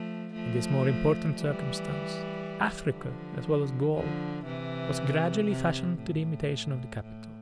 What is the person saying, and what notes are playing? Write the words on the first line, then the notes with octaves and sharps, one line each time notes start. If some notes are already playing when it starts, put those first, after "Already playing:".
In this more important circumstance, Africa, as well as Gaul, was gradually fashioned to the imitation of the capital.
Already playing: F3 A3
F3 A3
E3 G3
D3 F3
D3 F3
C3 E3
C3
A2
A2